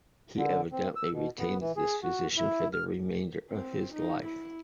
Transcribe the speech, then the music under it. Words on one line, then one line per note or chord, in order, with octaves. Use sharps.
He evidently retains this position for the remainder of his life.
D3
C4
E6
B2
B3
E3
G#4
F#4
E4
F6
C4
D#4
E4